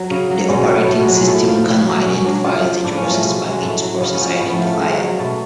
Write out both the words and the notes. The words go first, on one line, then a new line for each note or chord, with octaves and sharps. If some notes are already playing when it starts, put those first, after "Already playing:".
The operating system kernel identifies each process by its process identifier.
Already playing: F#3
C#3
F#3
B2 G#3
A3
F#3
B3
B2 A3
G#3
F#3
G#3
A2 A3
F3
B2
F#3
B2 C#4
F#3 D4
C#3 F4
F3
A2 D4
C#4
F3
A3
B2 G#3
F#3
G#3
A2 A3
F#3
C#3 B3
C#4
F3
C#4
A2 B3
A3
F3
A3
C#3 G#3
F#3
B2 A3